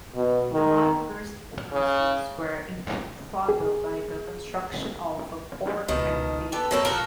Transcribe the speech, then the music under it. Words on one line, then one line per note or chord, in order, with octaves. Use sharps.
Nawanagar's finances were improved further by the construction of a port at Bedi.
B2
D#3
C#3
G#4
C#2 B2 D#3 F3
B3 G4 A4
F2 B2 A#3 C4 D4 A4 C#5
A#1 F3 F#4 A4 A#4